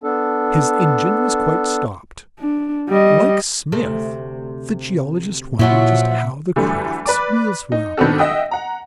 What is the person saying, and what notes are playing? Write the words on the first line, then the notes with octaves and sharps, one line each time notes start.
His engine was quite stopped; like Smith, the geologist wondered just how the craft's wheels were operated.
B3 D4 A4
D4
G3 D#5
D2 C3 A3
A#2 F3 F#3 E4 E5 F#5
D3 E3 F#3 G3 A3
B4 D5 D6
D#4
D#3 B3 C4 D4 F#4 A4
D#5 E5 F#5 G5 D#6 E6
F#5 A#5